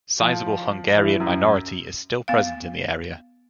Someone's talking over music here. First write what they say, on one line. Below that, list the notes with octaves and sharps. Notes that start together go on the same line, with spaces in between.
Sizable Hungarian minority is still present in the area.
F3
E3
F#2
B3 F5